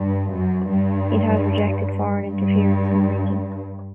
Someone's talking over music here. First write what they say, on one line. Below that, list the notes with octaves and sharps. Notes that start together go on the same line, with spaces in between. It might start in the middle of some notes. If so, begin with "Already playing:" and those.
It has rejected foreign interference in the region.
Already playing: G2
F#2
G2
G2